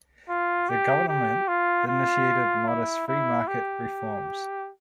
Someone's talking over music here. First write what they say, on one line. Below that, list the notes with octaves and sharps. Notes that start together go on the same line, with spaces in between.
The government initiated modest free market reforms.
F4
G4
G4
F4
F4
E4
E4
G4